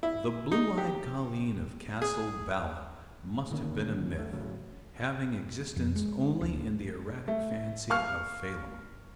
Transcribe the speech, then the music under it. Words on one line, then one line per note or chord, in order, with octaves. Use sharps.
The "blue-eyed colleen" of Castle Ballagh must have been a myth--having existence only in the erratic fancy of Phelim.
E4
D#4
G4
G#4
D3 D#3 A#3 C#4
E2 A3
A2 C#3 F#3
F2
G#3
D1
A3
F5 C#6 F6